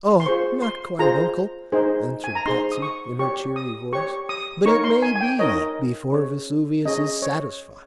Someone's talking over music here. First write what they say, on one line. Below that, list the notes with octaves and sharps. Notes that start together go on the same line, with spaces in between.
"Oh, not quite, Uncle," answered Patsy, in her cheery voice; "but it may be, before Vesuvius is satisfied."
C6
F4 G#4 C5 C#6
C6
F4 G#4 C5 A#5
D#4 G#4 C5
G#5
A#5
D#4 G#4 C5 C6
D#6
C#6
G4 C#5 C#6
D#6
G4 C#5 C#6
D#6
D#4 A#4 C#5 C#6
C6
G#5
G#5
G5
D#4 A#4 C#5 D#5
C#4 G#4 C#5
C#4 G#4 C#5 D#5
C#5